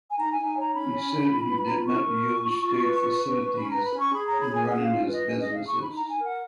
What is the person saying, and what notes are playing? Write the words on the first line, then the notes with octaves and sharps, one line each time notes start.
He said he did not use state facilities in running his businesses.
G#5
D#4 A#5
G#5
D#4
G#5
C#5 A#5
C#4 B5
C#4
C#4
F4
B4
F4 A#5
B5
A#4 C#6
A#4
F4
F4
F4
B4
F4
B4
B4
C#4 B5
B4 A#5
B5
C#4
C#6
G#4 B5
C#5 A#5
B5
G#4 G#5
C#4 F#5
F4 F5
B4 D#5
C#4
G#4 D#5
F5
G#4 C#6
D#4 B5
A#5
D#4
G#5
A#4 F#5